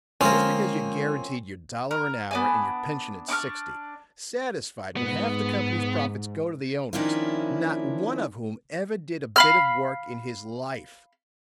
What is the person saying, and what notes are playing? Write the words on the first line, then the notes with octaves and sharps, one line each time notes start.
Just because you're guaranteed your dollar an hour, and your pension at sixty! Satisfied, when half the company's profits go to the owners, not one of whom ever did a bit of work in his life!
D3 F3 G#3 A#3 C4 C#4 C5
A#4
B3 D4 G#5
D4 C#6 D6 F6
G#2 B3
D#3 F3 A#3 C#4 D4 E4
F5 B5 F6